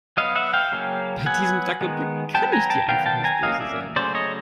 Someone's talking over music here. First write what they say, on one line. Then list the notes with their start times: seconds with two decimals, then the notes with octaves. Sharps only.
Bei diesem Dackelblick kann ich dir einfach nicht böse sein.
0.17 F#3 B3 D#5 F5
0.35 E5 F#5
0.53 F5 G5
0.72 C#3 F#3 A#3 C#4
1.26 F#3 B3 F#5 G#5
1.81 D#3 G#3 B3
2.34 F#3 B3 G5 A5
2.52 G#5 A#5
2.70 G5 A5
2.88 D#3 F#3 B3 F5 G5
3.06 G5 A5
3.24 G#5 A#5
3.42 F#3 A#3 C#4 D#5 F5
3.60 D5 E5
3.96 C#3 F#3 A3 C#4 C5 D5
4.15 C#5 D#5